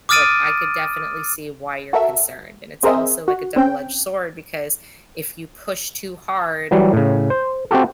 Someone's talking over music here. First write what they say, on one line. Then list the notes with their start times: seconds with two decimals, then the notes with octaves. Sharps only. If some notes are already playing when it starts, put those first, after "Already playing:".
like, I could definitely see why you're concerned, and it's also like a double edged sword because if you push too hard,
0.09 D6 D#6 F6 A6 D7 D#7
1.93 F#4 A4 A#4 E5
2.83 C4 G#4 A#4 C5 D#5 E5
3.28 F#4
3.56 C4 C#4 G5
6.71 E3 F#3 G3
6.93 A2 C#3
7.30 C5
7.71 C4 F#4 G4 A4